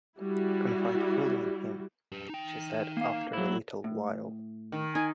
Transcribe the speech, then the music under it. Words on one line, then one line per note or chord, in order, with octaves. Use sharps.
"Confide fully in him," she said after a little while.
G3 E4 F#4
G4 B4
D#4 G5
A#3 F5
F#3 E4
A2
D#3
D#4 G#5